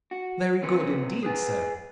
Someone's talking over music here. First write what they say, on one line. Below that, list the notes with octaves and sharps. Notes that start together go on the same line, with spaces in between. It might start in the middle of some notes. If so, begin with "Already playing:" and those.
"Very good indeed, sir."
F#4
G3 C4 B4 C#5
G#4 B4 G#5